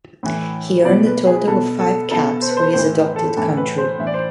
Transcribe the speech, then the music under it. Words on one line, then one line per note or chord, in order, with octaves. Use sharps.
He earned a total of five caps for his adopted country.
A2 E3
B2 D5
B4
G#4
B2 A4
A4
B2 A4
C5
B4
C5
A2 E3 C5
B4
A4
A2 E3 A4
B4
C5
A2 E3 E5
D5
C5